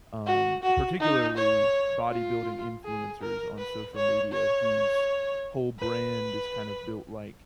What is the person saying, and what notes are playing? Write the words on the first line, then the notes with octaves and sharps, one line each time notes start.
um, particularly bodybuilding influencers on social media whose whole brand is kind of built, like,
F#4
F#4
D#4
C#5
F4
G#4
A#4
B4
C#5
C#5
B4